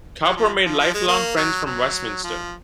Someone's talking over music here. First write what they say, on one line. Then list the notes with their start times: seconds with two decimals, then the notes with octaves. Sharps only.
Cowper made lifelong friends from Westminster.
0.21 F#3
0.36 F3
0.65 F3
0.79 F3
0.94 G#3
1.07 A#3
1.36 F#3
1.65 F#3
2.24 F3